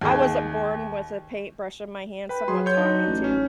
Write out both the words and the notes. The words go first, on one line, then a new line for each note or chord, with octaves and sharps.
I wasn't born with a paintbrush in my hand, someone taught me to,
D#2 G#4 G5
B4 G5 B5
F#3 G#4 C6
C#5 G6
D4 D#4
A1
C#4